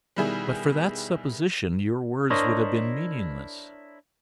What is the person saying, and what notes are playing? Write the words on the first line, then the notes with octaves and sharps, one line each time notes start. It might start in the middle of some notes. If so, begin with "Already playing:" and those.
"But for that supposition, your words would have been meaningless?"
B2 D#3 G3 E4 G#4
D4 E4 A#4 C5 C#5 D#5